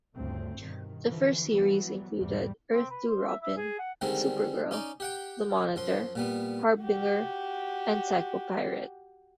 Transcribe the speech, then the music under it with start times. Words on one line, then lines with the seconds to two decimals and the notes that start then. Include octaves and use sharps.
The first series included Earth-Two Robin, Supergirl, the Monitor, Harbinger and Psycho-Pirate.
0.15 G1 D2 C#3 A3 C4
0.58 G2 B2 D#3
1.05 D3 E3 F3
1.49 E3 F#3 G3 B3
2.16 E2 G#2 B2 G3
2.73 C4
2.90 B4
3.08 C5
3.27 E5
3.42 E5
3.57 G#4
3.79 F#5
4.01 D3 D#3 G3 G#3 C4
4.71 C#4 D#4 D5
5.00 G4 F#5 G5
5.76 F#2 F3 C6
6.15 A#2 G3 B3
6.83 F#4 G4